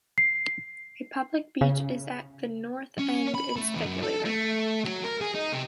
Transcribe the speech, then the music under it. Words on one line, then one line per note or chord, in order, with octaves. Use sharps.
A public beach is at the north end in Speculator.
C7
C#3
C#4
B5
A3
E2
F#2
A4
A3
F#3
A#4
G#4
D#4
C3